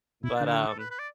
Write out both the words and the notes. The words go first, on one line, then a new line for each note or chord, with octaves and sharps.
But, um,
B2 E4
D4
D3
E4
F#4
A4
B4
B4
D5